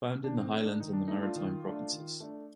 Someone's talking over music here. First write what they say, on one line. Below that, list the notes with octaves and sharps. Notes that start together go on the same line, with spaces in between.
Found in the highlands and the maritime provinces.
D#3 D4
C4
A3 D4 A4
D#4
D#3 D#4
D4
A3 D4 D#4
F4
D#3
A3 D4
D#3
A3 D4